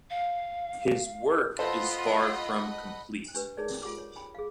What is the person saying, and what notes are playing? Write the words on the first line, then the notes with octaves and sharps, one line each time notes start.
His work is far from complete.
F5
F4 A4 B4 C5 D#5 F#5 B5
D4 G4 B4
D#4 G#4 A#4 C#5 D5
F4 G4 F#5 D6 E6
C#5
G5 B5
G#4 F5